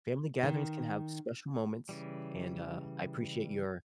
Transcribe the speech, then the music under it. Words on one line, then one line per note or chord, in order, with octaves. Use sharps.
family gatherings can have special moments and, uh, I appreciate your
D#3
C#3 E3 G3